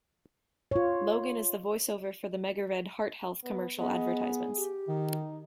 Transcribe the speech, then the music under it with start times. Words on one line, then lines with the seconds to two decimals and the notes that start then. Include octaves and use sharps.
Logan is the voice-over for the MegaRed heart health commercial advertisements.
0.71 F4 C#5
3.44 B3
3.79 B3 G#4 D#5
4.57 G4
4.88 D#3 D#4